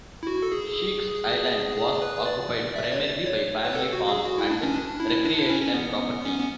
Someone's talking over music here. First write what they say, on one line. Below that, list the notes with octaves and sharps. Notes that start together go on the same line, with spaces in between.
Sheek's Island was occupied primarily by family farms and recreational properties.
E4
F#4
A4
G#4
G#4
B4
D5
E5
D5
C#5
D5
D5
C#5
B4
A4
F#4
F#4
G#4
F#4
E4
D4
C#4
D4
D4
E4
D4
E4
C#4
C#4
B3
C#4
B3